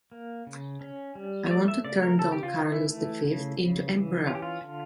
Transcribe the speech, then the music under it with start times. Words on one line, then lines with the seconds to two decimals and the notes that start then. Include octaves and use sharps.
I want to turn Don Carlos V into emperor.
0.12 A#3
0.47 C#3
0.81 C#4
1.15 G3
1.46 C#5
1.50 A3 D5
1.68 E5
1.85 C#3 D5
2.02 A#4
2.19 C#3 A4
2.32 G4
2.43 F4
2.54 E3
2.66 E4
2.88 A3
3.24 C#3
3.58 C#3
3.93 E3
4.27 C#4 F4
4.35 G4
4.42 F4
4.61 D3